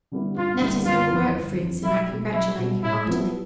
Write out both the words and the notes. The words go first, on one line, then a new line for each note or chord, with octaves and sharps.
Nat is your work, Fritz, and I congratulate you heartily.'
D3 G3 B3 E4
G2 F4
D3 G3 B3 E4
G1 F4
F2 E3
G1
F2 E3
B1 E4
B2 G3
B1 E4
B2 G3
A2 E4
F3 B3 E4